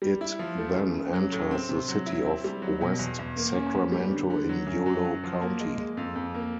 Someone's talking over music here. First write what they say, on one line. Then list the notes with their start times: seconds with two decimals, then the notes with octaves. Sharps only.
It then enters the city of West Sacramento in Yolo County.
0.02 G3
0.21 E4
0.39 F3
0.58 A3
0.76 C#3
0.94 C#3
1.13 F#3
1.32 A2
1.51 C4
1.69 C3
1.88 F#3
2.06 E4
2.25 C4
2.44 G3
2.62 F#3
2.81 B2
2.99 E2
3.19 E2
3.36 A#3
3.55 C#4
3.74 B3
3.92 G3
4.11 D3
4.30 D3
4.49 F#3
4.67 F#2
4.86 F#3
5.05 F#3
5.24 F3
5.41 A#3
5.60 G#3
5.78 G#3
5.97 F2
6.15 F2
6.35 A#3